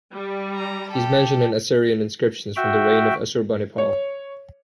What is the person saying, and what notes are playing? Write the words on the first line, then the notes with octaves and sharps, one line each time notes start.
He is mentioned in Assyrian inscriptions from the reign of Assurbanipal.
G3
A#5
G4 A4
F#4 E5 G5
C#5